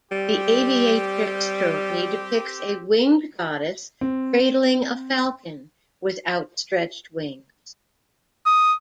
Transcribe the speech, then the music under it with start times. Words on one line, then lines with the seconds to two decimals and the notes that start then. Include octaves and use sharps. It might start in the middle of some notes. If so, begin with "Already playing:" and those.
The aviatrix trophy depicts a winged goddess cradling a falcon with outstretched wings.
0.11 G3 C4 G4
4.01 C4
8.46 D#6